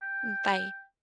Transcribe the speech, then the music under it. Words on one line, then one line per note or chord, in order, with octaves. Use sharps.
Mm, bye.
G5